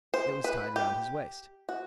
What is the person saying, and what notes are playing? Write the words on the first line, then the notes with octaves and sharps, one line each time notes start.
It was tied round his waist.
C5
B4
G4
F#4